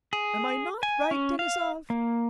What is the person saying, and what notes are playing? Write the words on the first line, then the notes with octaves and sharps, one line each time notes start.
Am I not right, Denisov?
G#4
G#5
C#4
F5
A#3